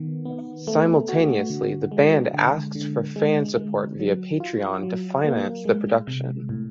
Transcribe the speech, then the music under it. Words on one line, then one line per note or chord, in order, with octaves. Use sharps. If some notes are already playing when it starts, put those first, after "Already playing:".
Simultaneously the band asked for fan support via Patreon to finance the production.
Already playing: D#3 B3
B3
A3
F#4
D3
G#3
D3
D3
G#3
G#3
F#3
F4
F#3
A#3
G#3
C3
A2